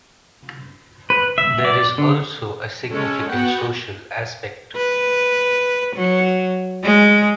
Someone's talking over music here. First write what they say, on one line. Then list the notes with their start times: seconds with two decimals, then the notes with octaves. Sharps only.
There is also a significant social aspect.
1.10 B4
1.38 E5
1.65 D5
1.98 D3
2.89 G#3 C#4 A4 C#5
3.30 B3 F#4 F#5 G5
4.77 B4
5.96 F#3
6.83 G#3